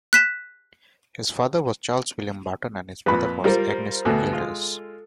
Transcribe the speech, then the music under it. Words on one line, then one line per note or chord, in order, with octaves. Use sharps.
His father was Charles William Barton and his mother was Agnes Childers.
F#6 B6 E7
F2 A#2 B4 B5
G3 F4 A#4 C5
D2 B2 A4
G#3 F4